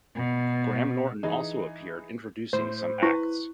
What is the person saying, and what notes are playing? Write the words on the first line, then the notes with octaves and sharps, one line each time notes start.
Graham Norton also appeared introducing some acts.
B2
E3 D#4 G#4
A2 C5
E4 B4 C#6